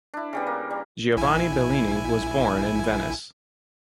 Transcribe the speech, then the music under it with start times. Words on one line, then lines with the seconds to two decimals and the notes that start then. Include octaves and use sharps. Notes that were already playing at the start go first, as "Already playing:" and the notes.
Giovanni Bellini was born in Venice.
0.14 D4 E4
0.33 C#3 G3 B3
0.47 A#3
0.71 G3
1.16 A#1 E4 G#5